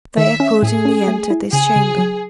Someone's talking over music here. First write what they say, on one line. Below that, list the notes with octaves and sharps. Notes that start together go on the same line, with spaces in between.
They accordingly entered his chamber.
D#3 E5
C#4
A2 G#4
C#4
A3
E4
C#3 G#4
C#3
F#3